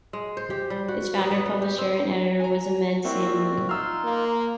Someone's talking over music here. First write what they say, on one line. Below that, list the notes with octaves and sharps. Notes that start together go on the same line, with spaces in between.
Its founder, publisher and editor was Ahmad Shamlou.
G#3
C5
G4
G3
F#4
B3
B3
G3
G4
C4
G#5 A#5
G3 A#3 C4 E4 F#4
D#4 F4 C6 E6 F6
A#3